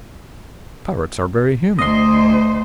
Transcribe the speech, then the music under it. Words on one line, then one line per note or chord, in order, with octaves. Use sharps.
Parrots are very human.
D2 C5 D#5 C6